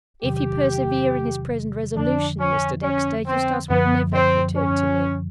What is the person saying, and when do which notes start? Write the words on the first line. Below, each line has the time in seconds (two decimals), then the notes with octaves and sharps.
"If he persevere in his present resolution, Mr. Dexter, Eustace will never return to me."
0.23 E2 C3 D#3 F#3 G4
1.96 F2 D3 F3 D4
2.40 C#4
2.83 C#4
3.27 C4
3.70 F#2 D3 F3 B3
4.14 C4
4.57 C#4